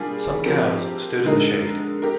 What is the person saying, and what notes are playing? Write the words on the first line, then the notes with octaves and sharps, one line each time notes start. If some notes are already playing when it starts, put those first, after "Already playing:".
Some cows stood in the shade.
Already playing: G3 A#3 D4 F4 G#4
F3 C4 G4 A#4
D3 G#3 D#4 A#4
G4 A#4